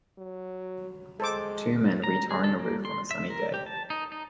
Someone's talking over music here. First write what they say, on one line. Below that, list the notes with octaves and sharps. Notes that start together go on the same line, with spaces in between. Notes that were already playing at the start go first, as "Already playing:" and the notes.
Two men retarring a roof on a sunny day.
F#3
G#3 A4 C5 D6
A#5
G#4
A4
A#3
C6
E5
A#4
G4
A5
D#4
D#4